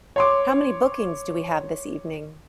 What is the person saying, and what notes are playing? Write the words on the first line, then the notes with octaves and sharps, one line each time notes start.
How many bookings do we have this evening?
C#5 C6 D6